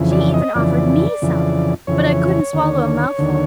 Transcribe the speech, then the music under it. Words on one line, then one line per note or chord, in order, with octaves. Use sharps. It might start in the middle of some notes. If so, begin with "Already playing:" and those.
She even offered me some, but I couldn't swallow a mouthful.
Already playing: F2 C#3 E3
D5
D#5
F2 C#3 E3 D5
F2 C#3 E3
F2 C#3 E3 C#5
D#2 D3
D#2 D3